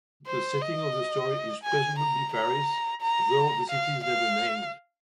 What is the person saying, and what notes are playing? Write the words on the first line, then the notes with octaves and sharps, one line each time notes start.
The setting of the story is presumably Paris, though the city is never named.
C5
D#5
G#5
A#5
A#5
A#5
F5
F5